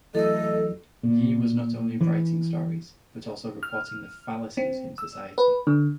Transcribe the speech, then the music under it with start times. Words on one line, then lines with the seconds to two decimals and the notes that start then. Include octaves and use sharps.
Ye was not only writing stories, but also reporting the fallacies in society.
0.15 E2 E3 F#3 A3 A4 D#5 E6
1.03 A#2
2.01 E3
3.63 F6
4.57 C4
4.98 E6
5.38 B4
5.67 D3